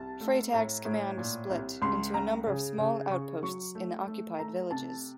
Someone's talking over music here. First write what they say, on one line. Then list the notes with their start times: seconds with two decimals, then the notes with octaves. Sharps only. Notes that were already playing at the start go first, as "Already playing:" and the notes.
Freytag's command was split into a number of small outposts in the occupied villages.
Already playing: C2 A5
0.21 A3
0.53 A2 A#5
0.85 A2
1.17 A#2
1.50 C2
1.82 C#2 C6
2.14 C#2 A#5
2.47 C#3
2.78 C#3
3.10 C#3 C#6
3.43 F#3 C#6
3.75 A3
4.07 A3
4.39 A3 A#5
4.71 C3 A5